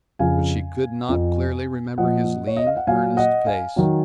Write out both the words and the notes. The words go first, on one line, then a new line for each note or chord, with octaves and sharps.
But she could not clearly remember his lean earnest face.
F2 C#3 F3 F5 G#5
F2 F3
A#2 F3 D#5 F#5
C#5
D#5
F5
F#5
A#2 F#3 F5 G#5
D#5 F#5
F5 G#5
D#3 F#3